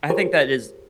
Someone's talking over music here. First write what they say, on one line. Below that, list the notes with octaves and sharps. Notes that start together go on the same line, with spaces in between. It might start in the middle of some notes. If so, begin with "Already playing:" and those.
I think that is,
F4 G4 G#4 A#4 C5 C#5